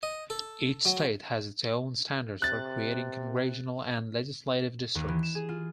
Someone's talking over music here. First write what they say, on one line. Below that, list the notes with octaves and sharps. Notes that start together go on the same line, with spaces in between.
Each state has its own standards for creating Congressional and legislative districts.
D#5
A4
F#3
C3 F#6 A6
D#2
E3
E7
G#4
F4